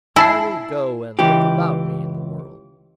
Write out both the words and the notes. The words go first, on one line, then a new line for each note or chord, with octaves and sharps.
I will go and look about me in the world.'
E4 G#5 A5 C7
C#2 E3 G4